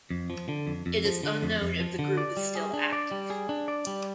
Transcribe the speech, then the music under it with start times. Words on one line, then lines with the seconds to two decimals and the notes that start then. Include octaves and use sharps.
It is unknown if the group is still active.
0.11 F2
0.30 F3
0.49 D3
0.67 F2
0.86 F2
1.05 F3
1.23 D3
1.43 F2
1.61 F2
1.80 F3
1.99 D3
2.17 D5
2.37 G3
2.55 G#4
2.73 D4
2.93 D5
3.11 G3
3.30 G#4
3.49 D4
3.68 D5
3.87 G3